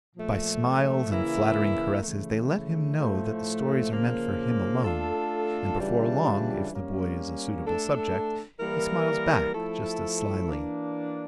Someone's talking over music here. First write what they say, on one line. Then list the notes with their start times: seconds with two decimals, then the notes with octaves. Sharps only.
By smiles and flattering caresses they let him know that the stories are meant for him alone, and before long, if the boy is a suitable subject, he smiles back just as slyly.
0.15 A#2 F3 A3
1.09 C#3 E3 A#3 E4
2.03 C#3 E3 A3
2.97 A2 F3 A3
3.90 C#3 F3 A#3
4.84 A3 D4 F4 A4
5.78 C#3 E3 G3 D4 F4
6.71 G3 A#3 C#4
7.66 A3 D4 A4
8.60 E3 G3 A#3 E4 A#4
9.53 F3 A3 E4 A4
10.47 E3 A#3 D4